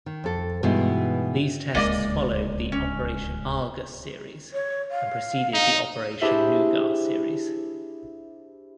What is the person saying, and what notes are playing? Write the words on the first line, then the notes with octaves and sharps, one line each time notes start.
These tests followed the "Operation Argus" series and preceded the "Operation Nougat" series.
D#3
F2 A4
G2 B2 E3 G#3 D#4 E4
D1 C#2 G#3 A#3 D5 D#5
C#4
C#5
F5
D#4
D4 E4 G4 G#4 C5 E5